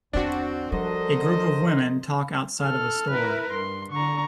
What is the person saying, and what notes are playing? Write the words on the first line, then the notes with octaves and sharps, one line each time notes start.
A group of women talk outside of a store.
E2 D3 C4 D4 F#4
F3 G3 A4 A#4 C5 D#5
A4 F6
E4 A#4 B4
G2 C6
D3 A#5 C#6